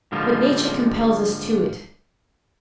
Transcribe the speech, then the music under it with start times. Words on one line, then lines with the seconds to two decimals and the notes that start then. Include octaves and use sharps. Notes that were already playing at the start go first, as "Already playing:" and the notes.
But nature compels us to it.
0.12 G#2 D3 F3 G3 A#3